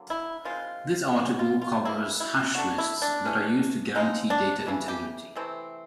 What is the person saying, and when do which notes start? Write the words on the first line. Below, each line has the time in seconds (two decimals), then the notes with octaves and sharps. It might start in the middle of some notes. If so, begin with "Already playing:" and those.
This article covers hash lists that are used to guarantee data integrity.
Already playing: D3 F#3 A#3
0.10 E4
0.45 D#3 G#3 C4 F4
1.15 C3 E3 G#3 B3 F#4
1.30 F#4
1.39 F4
1.62 F4
1.85 C3 E3 G3 A#3 E4
2.20 E4
2.55 F#3 A3 D4 F#4
2.78 E4
3.02 D4
3.25 E3 A3 C#4
3.95 C#3 F3 G#3 C4 D#4
4.30 D4
4.65 C#3 E3 A3 D4
4.88 G4
5.36 C3 E3 A3 C4